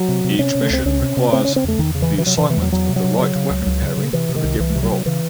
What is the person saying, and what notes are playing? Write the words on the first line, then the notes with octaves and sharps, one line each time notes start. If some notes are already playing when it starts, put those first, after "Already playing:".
Each mission requires the assignment of the right weapon pairing for the given role.
Already playing: F#3
C3
C3
C3 C#4
C3
A3
C#2 C4
C#2 C#4
C3
C3
C#3 C4
C#3 C#4
C4
E2 A3
E2 D#3
C#3
E3
C#3
E3
C3 F#3
E3
C3
E3
E2 F#3
E2 F#3
C3
F#3
C3
C#3
C#3
C#2
C#2
C#3
C#3
C3 E3
C3
D#3
C2
C2 E3
C3
F#3
C3
C#3 E3